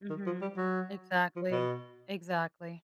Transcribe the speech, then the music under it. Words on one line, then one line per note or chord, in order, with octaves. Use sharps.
Mhm. Exactly, exactly.
D#3
F3
G3
F#3
F3
B2